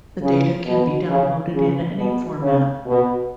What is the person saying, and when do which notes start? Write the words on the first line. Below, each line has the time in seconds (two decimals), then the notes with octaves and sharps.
The data can be downloaded in any format.
0.21 C#3
0.66 B2
1.09 C#3
1.53 C#3
1.98 B2
2.42 C#3
2.86 B2